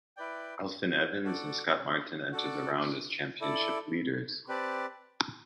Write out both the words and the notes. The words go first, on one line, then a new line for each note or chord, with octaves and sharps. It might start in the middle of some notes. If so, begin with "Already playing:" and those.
Elfyn Evans and Scott Martin entered the round as championships leaders.
E4 B4 D5 G5
F#4 A4 D5
F#4 A4 D5
E4 A4 D5
C4 G4 B4 D5 A5